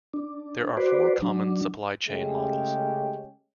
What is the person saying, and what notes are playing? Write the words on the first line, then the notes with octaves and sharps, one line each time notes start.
There are four common supply chain models.
D4
F#4 B4 C5 D5
F#3 D4
C#3 G#3 A3 C#4 G4